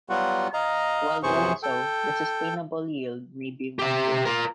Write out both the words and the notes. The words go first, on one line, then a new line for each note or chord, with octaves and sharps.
While doing so, the sustainable yield may be much less.
F#3 G3 B3 F4 F#4 F#5
D#5 F5 A#5
F#2 C3 E3 G#4 C5 C#6
A4 G5
G4 E5
F4 A#4